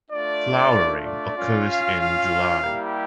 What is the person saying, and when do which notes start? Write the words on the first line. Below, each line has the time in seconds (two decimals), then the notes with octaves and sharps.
Flowering occurs in July.
0.10 A3 D4 F4 D5
1.05 D5
1.37 C#4 F4
1.67 F5
1.99 F5
2.62 G3 A#3 E4 G4